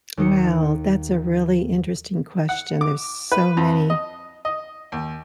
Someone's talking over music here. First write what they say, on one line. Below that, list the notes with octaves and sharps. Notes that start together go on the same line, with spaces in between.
Well, that's a really interesting question, there's so many.
D#2 D#4 C#7
F#5
D6
B4
F2
D#5
D#5
D#2